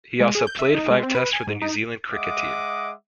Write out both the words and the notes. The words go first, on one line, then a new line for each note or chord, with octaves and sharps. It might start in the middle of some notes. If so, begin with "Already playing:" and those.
He also played five Tests for the New Zealand cricket team.
G#3
G#4
G6
E5
D#4
G#3
C4
B4
G#5
G#2
D#4
G#3 D#5 E5 F#5 D6 D#6